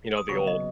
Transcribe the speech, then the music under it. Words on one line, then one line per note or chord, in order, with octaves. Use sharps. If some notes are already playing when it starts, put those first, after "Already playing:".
you know, the ol'
D#6
D#2 C#3 F#3 B3 C#6
D#5